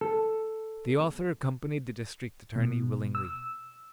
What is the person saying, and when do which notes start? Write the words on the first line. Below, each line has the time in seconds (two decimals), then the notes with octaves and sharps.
The author accompanied the district attorney willingly.
0.01 A4
2.56 B2
3.15 E6